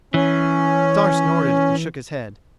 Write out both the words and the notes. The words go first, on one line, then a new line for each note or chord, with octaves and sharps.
Star snorted and shook his head.
E3 C#4